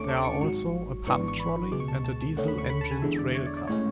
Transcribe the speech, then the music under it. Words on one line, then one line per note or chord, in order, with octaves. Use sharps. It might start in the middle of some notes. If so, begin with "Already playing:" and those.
There are also a pump trolley and a diesel-engined railcar.
Already playing: D2 D3 A3 C#4 C#6 D6
A5
D6
C#6
G#1 G#2 F#3 C#6
G#1 G#2 E3 B3 D4 C#6
C#6
B5
C#2 B2 G#3 D6
C#6
A5
A5
A5
D2 D3 A3 C#4 F#5
B5
C#6
B5
A5
G#5
E2 D3 G#3 E5
D5
C#5
D5
D5
A2 G#3 C#4 C#5